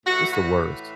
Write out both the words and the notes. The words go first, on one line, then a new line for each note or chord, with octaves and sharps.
It's the worst.
A2 E3 F#4
F#4